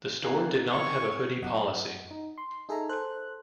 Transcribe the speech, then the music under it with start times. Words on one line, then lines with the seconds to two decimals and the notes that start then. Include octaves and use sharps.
The store did not have a hoodie policy.
0.22 E3 A#3 C4 D#4 G#4
0.72 C#5 C#6
1.42 F#2 D#5 F#5
2.11 D#4
2.38 C6
2.69 D#4 G#4 A4 E5 G#5 A#5
2.89 A4 C5 F#6